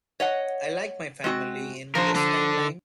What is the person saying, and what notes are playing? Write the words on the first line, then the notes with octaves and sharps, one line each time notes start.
I like my family in this timeline.
C#5 D#5 F#5
G#3 C4 F#4
F3 D4 A#4 C5
D3